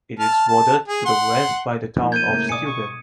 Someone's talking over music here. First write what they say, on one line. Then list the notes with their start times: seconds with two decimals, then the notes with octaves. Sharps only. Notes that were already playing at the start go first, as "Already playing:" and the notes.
It is bordered to the west by the town of Steuben.
0.20 A5 F6
0.49 A5
0.88 G#4
1.06 F#5 C6
1.99 F3 A#3 D#4
2.12 G6 G#6 D#7
2.29 C#2 A2 A#3
2.49 B1 D5 G#5 D#6 C#7
2.65 C#6